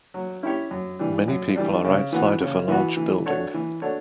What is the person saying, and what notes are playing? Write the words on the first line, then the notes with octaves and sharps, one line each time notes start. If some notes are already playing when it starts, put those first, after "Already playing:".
Many people are outside of a large building.
F#3
C#4 E4 G4 C#5
F#2
E3 G3 D4
F#2
E3 G3 D4
C#3
E3 B3 F#4
C#3
E3 B3 F#4
E3
A3 D4 F#4 C#5
E3
A3 D4 F#4 C#5